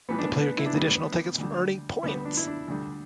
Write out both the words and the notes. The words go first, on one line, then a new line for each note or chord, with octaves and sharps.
The player gains additional tickets from earning points.
A2 E3 G3 B3
D4
B3
B4
E4
D4
D2 D3 G3 B3
B3
D2 D3 G3
D2 D3 G3 B3
B3
D4
E4
D4
D2 D3 G3